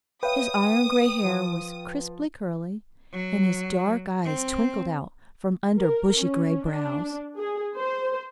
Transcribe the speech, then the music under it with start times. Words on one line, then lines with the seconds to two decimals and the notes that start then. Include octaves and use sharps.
His iron-gray hair was crisply curly, and his dark eyes twinkled out from under bushy gray brows.
0.23 B4 C#5 E5 F5 G5 D#6
1.25 F3 F4
3.12 F#3
4.24 C4
5.76 A#4
6.20 C#4
6.66 D4
7.37 G#4
7.76 C5